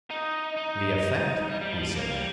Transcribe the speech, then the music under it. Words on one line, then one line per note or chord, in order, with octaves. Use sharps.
"The effect?" he said.
D#4
D#4
G3
G3
F3
A#3
G3